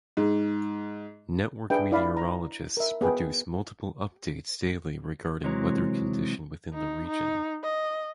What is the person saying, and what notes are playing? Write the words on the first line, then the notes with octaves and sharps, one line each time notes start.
Network meteorologists produce multiple updates daily regarding weather condition within the region.
G#2
D4 G#4 B4 E5 G5
E4 D5 F5 B5
A#5
A#4 E5
B3 G#4 B4 G5
C3 E3 F#3 G#3 C#5 A#5
D#4
D#4
D#5